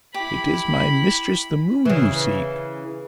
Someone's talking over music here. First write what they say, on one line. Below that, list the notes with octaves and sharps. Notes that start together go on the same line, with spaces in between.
'It is my mistress, the Moon, you seek.
E4 G4 B5
C#3 E3